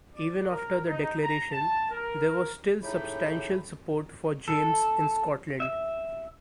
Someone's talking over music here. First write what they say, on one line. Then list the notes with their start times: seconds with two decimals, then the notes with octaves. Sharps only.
Even after the declaration, there was still substantial support for James in Scotland.
0.15 D5
0.50 A#4
0.87 D#4
1.21 A#5
1.51 A5
1.91 A#4
2.83 A2 C#3 D#4 G4 B5
4.48 A4
5.60 E5